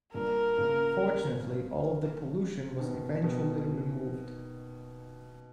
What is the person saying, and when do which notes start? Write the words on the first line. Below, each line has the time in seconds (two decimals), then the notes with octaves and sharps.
Fortunately, all of the pollution was eventually removed.
0.14 G2 A#2 A#4
0.58 A#2 C#3
2.79 B2 D#3
3.23 B2 D#3